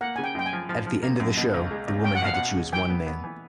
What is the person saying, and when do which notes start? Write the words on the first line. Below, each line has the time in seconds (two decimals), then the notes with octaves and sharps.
At the end of the show, the woman had to choose one man.
0.01 A#3 F#5
0.16 C#3 G#5
0.24 G5
0.35 F#2 G5
0.46 G#5
0.53 F3
0.69 F3
0.86 F3
1.02 A#3
1.20 F#2
1.37 B2
1.54 C#2
1.71 G#3
1.88 C#2
2.04 C#4 G5
2.15 F#5
2.22 B2 F5
2.34 B2 F#5
2.56 G#3
2.73 E3 G5
2.90 B3
3.06 B3
3.24 E3